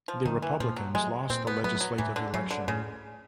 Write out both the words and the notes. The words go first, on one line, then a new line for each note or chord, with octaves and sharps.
The Republicans lost the legislative election.
F3
D3 D#3 F#3 A#3
E3
A#2 F3
F#3
F#3 G#3 A3
A#2 C4
B3
F#3 A3 B3
F#3
A2 E3
D3
C#3 F#3 A3
D3
A2 C#3